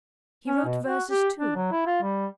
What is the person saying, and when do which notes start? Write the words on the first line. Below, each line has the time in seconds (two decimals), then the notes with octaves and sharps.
He wrote verses too.
0.48 C#4
0.65 B2
0.88 F#4
1.09 G4
1.39 D4
1.56 F#3
1.72 E4
1.86 F4
2.03 G3